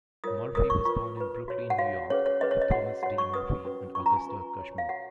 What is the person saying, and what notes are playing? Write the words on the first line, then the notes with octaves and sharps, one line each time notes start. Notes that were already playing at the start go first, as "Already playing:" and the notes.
Murphy was born in Brooklyn, New York, to Thomas D. Murphy and Augusta Cushman.
F4 A#4 C#5 D#6
F4 A#4 C#5 D#6
C#6
F4 B4 C#6
F4 B4
F#4 C#5
F#5
F#4 C#5 F5
C#4 G#4 B4 C#5
C#5
C#4 G#4 B4 D#5
C#5
D#5
F#4 C#5 F#5
F#4 C#5 F#5
C#6
C#4 F#4 B4 D#6
C#4 F#4 B4
C#4 F4 B4 C#6
A#5
G#5
C#4 F4 B4
F#4 C#5
F5
F#4 C#5 F#5